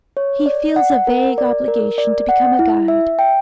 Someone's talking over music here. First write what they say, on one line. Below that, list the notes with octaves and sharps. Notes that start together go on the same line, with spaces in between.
He feels a vague obligation to become a guide.
C#5
D5
F#5
A#4
D5
A#4
D5
F#5
E4
E5
G5